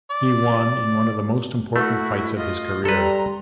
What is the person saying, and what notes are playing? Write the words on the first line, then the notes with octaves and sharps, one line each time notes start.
He won in one of the most important fights of his career.
D5
A3 E4 F#4
F4 D#5
G3 A4 B4 A#5 C6